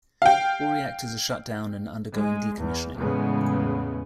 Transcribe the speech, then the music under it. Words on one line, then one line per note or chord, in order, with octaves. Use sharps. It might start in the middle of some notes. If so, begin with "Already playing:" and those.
All reactors are shut down and undergoing decommissioning.
F5 G5
G#3
E2
E2 A2 C#3 G#3 B3